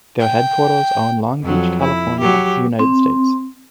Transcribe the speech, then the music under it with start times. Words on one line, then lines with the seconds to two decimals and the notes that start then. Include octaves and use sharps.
Their headquarters are in Long Beach, California, United States.
0.20 G5
1.44 F2 F#3
1.82 E4
2.20 F#3 G4
2.79 C4